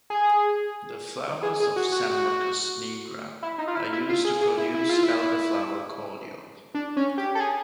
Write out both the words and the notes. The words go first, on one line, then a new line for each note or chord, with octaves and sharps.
The flowers of "Sambucus nigra" are used to produce elderflower cordial.
G#4
G#4
G#4
F#4
F#4
F#4
E4
D#4
F4
E4
E4
F4
G#4
G#4
E4
E4
F4
E4
D4
C#4
G4
A4
G#4